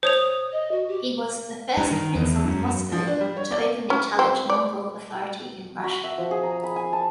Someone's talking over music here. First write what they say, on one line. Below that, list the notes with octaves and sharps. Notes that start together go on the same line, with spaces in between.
He was the first prince of Moscow to openly challenge Mongol authority in Russia.
C5 C#5 D#6 F7
D#6
D#5
F#4
G4
G2
D#3
E2
F#2
F3
D4
G3
C#5
D5
C#4
C4
D5
F#4
E5
F3
G#4
A#5
B5
G#5
A5